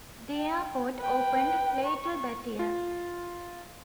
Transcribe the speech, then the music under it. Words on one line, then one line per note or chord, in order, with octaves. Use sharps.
The airport opened later that year.
G5
B4 G5
C#6
F4